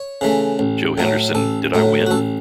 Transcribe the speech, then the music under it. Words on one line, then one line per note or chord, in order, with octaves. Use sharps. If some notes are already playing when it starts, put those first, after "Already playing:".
Joe Henderson, Did I win?
Already playing: C#5
C#3 E3 A3
A1
A2 F#3 A3
A1 A4
A2 F#3 A3
F#4
A1 A4